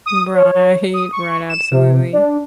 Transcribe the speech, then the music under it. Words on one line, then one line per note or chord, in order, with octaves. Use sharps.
Right, right, absolutely.
D#6
C#5
D#6
C#6
E7
C3
D4